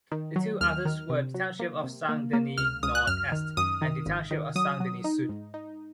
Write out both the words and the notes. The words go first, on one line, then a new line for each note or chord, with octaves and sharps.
The two others were the township of Saint-Denis-Nord-Est and the township of Saint-Denis-Sud.
D#3
F#3
D#2 F6
D#3
C3
F#3
A#3
C3
A#3
A#3
C#2 F6
C#2 D#6
F#6
F#2 F6
D#3
F#2 D#6
D#3
G#1
D#3
F#3 D#6
F#3
D#4
G#2
D#4